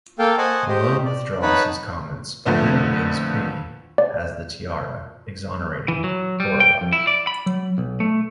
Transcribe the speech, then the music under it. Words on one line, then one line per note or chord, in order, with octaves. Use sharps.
Malone withdraws his comments, but then reveals Piggy has the tiara, exonerating Lorelei.
A#3 A4 F5 G5 A5
C5 D#5 F#5 G#5 A5 C#6
G4 C5 D#5
D5
D#4 B4 C#5 F#5 A5 B5
F2 A#2 D3 A3 B3
D5
E3
F#3
G3
G5
F2
E4
D5
B5
F#3
B1
A3